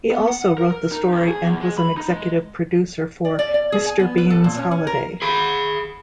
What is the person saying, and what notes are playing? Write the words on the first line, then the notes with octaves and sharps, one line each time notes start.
He also wrote the story and was an executive producer for "Mr. Bean's Holiday".
B3
F#5
A#4
A#4
D#4
F2
G#4
E2
G#3
B5
D#4
G#3
D5
D5
D5
G#4
G#5
B3
B4
A4
A#2
C#4
C#4
A#4
G#4 B5